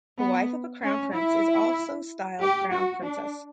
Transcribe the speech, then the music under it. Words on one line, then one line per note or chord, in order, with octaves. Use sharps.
The wife of a crown prince is also styled crown princess.
B3
C#4
E4
G4
F#4
D4